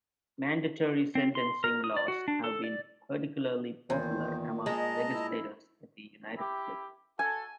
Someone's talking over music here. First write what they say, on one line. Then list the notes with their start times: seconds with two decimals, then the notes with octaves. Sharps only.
Mandatory sentencing laws have been particularly popular among legislators in the United States.
1.15 C4
1.35 C6
1.64 A#4
1.84 D#6
1.97 D5
2.08 F#4
2.28 D4
2.44 A4
2.64 D5
3.90 E2 A#2 D#3 C5
4.66 G#3 D#5 A5 A#5
5.11 E4
6.38 E4 G4
7.19 F#4 A4 G#5